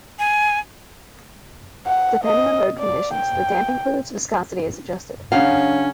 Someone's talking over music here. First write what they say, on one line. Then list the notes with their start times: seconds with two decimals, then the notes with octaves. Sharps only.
Depending on road conditions, the damping fluid's viscosity is adjusted.
0.19 G#5
1.86 F#5
2.24 D#5
2.79 D5
3.14 G5
5.32 C#3 F#3 C#4 D4 F5